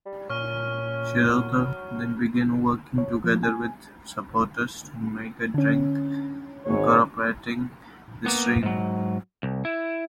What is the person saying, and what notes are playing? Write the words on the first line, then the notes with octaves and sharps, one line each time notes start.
Shirota then began working together with supporters to make a drink incorporating the strain.
G3
A#2 C#4 C#6 F6
F#3
C#5
F3
G#5
D3 C#4
G#1 G#2 C#5
A#3 B3
G#2 F#3
C2
E4